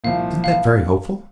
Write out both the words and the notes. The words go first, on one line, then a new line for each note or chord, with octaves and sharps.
"Isn't that very hopeful?"
C2 A#2 F3 F5
F5